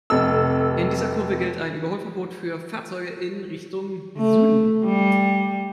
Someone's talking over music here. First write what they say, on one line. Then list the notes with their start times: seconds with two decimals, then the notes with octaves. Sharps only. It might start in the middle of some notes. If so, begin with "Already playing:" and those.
In dieser Kurve gilt ein Überholverbot für Fahrzeuge in Richtung Süden.
0.10 F1 C3 A4 E6
4.18 A3
4.85 G3